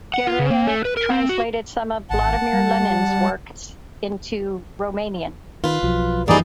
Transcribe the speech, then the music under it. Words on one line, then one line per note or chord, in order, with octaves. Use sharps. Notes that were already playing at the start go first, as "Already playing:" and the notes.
Gherea translated some of Vladimir Lenin's works into Romanian.
F#5
F4
C#3
A#3
A3
B4
A#4
C4
F#4
G#1 F#5 A5
G3
D#3 F4 B4
B1 F3 F#3
F#2 E3 F3 G3 A#3 D#4 G#4 D5